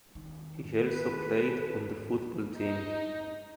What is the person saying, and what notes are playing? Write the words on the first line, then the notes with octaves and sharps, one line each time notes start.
He also played on the football team.
D#3
G#4 A4 B4
D#4